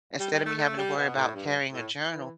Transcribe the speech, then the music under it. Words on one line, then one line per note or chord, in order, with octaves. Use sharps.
instead of me having to worry about carrying a journal,
G3
G3
A3
A3
G3
B2
A2
G2
A2
E3